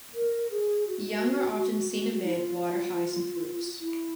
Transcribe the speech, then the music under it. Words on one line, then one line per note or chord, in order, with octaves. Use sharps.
Young are often seen amid water hyacinth roots.
A#4
G#4
F#4
E4
F4
E4